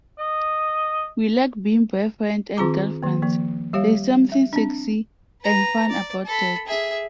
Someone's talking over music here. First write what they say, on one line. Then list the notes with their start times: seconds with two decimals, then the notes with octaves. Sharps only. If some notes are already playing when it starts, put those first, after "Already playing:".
We like being boyfriend and girlfriend; there's something sexy and fun about that.
0.19 D#5
2.57 D#3 C4 F4 G#4 A#5 D6
3.03 D#3 A#3
3.22 F3 A#3
3.73 G3 G4 C#5 F5
4.32 E5
4.53 C4 D4
5.42 B4 A#5
5.89 D5
6.26 A4 B5
6.67 G#4 E5